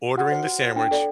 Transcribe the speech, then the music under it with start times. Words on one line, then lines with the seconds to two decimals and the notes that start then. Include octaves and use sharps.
ordering the sandwich,
0.17 F#4 F#5
0.32 C5
0.47 F#4
0.61 C5
0.76 D4 G5
0.91 A4 D5